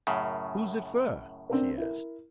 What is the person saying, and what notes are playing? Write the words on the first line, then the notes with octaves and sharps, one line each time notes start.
"Who's it fur?" she asked.
F#2 A2 C#3
C4 D4 A#4
E4 A#4